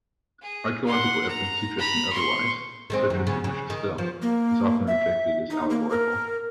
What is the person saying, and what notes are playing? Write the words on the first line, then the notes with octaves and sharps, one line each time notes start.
Archaeological evidence suggesting otherwise, such as the Mesha Stele, is often rejected as allegorical.
G#4
F#5 C6
A#5
A#5 B5
C6 C#6
D#3 G#3 C4
F#2
C#3 B3
C#3
D#3
F3
A#3
E5
D#4
A#3
A#4